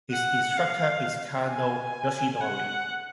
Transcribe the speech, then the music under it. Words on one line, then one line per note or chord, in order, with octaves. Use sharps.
His instructor is Kano Yoshinori.
F#5
F5
G#5
F#5